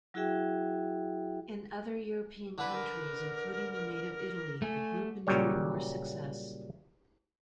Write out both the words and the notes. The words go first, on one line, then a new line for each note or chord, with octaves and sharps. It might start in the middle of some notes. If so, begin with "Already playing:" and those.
In other European countries, including their native Italy, the group enjoyed more success.
F#3 E4 F#4 G#4 E5 G5
D3 E4 B4
A#4
A3 G#5
A#2 C#3 F#3 G3 C#5